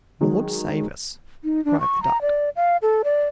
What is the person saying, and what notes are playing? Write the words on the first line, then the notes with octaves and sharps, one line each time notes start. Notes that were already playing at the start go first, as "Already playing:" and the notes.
"Lord save us!" cried the duck.
D#3 F#3 G#3
D#4
D4
C#6
A#5
D5
F5
A4
D5